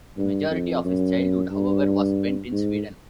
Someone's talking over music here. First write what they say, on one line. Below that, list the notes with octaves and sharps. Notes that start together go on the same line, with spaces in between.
The majority of his childhood, however, was spent in Sweden.
G2
F2
F#2
G2
G#2